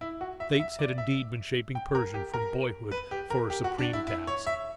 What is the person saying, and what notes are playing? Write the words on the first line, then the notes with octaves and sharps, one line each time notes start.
The Fates had indeed been shaping Pershing from boyhood for a supreme task.
E4
F#4
E5
E5
D5
E5
G5
A#4
G4
A#4
B4
G4
A#4
G4
F#4
D4
E4
E4
C#5
E5